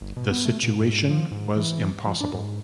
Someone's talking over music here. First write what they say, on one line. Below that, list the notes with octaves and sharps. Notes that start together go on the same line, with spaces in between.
The situation was impossible.
G1
B2
B3
A3
A#2
G#2
F3
G#2
E3
F3
D4
G#2